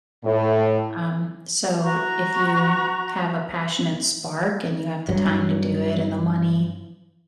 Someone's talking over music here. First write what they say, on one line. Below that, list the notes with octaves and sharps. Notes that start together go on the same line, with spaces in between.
Um So if you have a passionate spark and you have the time to do it and the money,
A2
F#4 A#5 C#6
G2 F#3